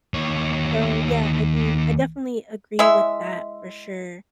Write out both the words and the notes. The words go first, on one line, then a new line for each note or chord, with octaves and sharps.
So, yeah, I do I definitely agree with that for sure.
D#2 C#5
G#3 E4 E5